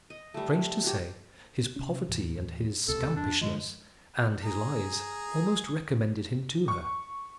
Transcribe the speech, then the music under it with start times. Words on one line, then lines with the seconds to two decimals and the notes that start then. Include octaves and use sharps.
Strange to say, his poverty and his scampishness and his lies almost recommended him to her.
0.10 D#5
0.34 G3 A3
0.84 F#4 G4
1.76 C3 C#4
2.08 D#2 A2 E3
2.88 D#1 C#2 C3 A4
3.16 F2 D4
3.41 G2 D3 F3 G#3
4.44 G#4 A#5
6.68 C#6